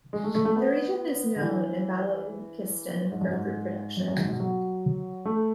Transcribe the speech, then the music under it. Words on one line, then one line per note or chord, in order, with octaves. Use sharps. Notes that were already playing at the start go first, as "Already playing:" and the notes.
The region is known in Balochistan for fruit production.
G#3
A3
A3
A3
B3
D3
E3
G#2
F#2
G#2
F#2
F#2
G#2
B2
F#3
A3